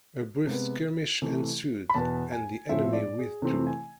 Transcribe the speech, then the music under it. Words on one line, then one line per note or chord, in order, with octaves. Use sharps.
A brief skirmish ensued and the enemy withdrew.
C3 G#3 B3
C3 E3 A3
B5
E2 B2 B3 A5
G#5
A2 F3 A3 C4 E5
D5
G#4
C3 E3 A3 C4
G#5